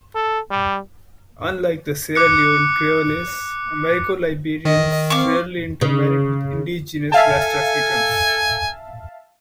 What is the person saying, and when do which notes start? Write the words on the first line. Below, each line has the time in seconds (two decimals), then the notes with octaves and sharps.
Unlike the Sierra Leone Creoles, Americo-Liberians rarely intermarried with indigenous West Africans.
0.15 A4
0.51 G3
2.15 D6 F#6 C#7
4.65 D#3 D#5
5.10 C4 F5 C#6 D6
5.81 C#3
7.12 A4 E5 F5 G#5 A5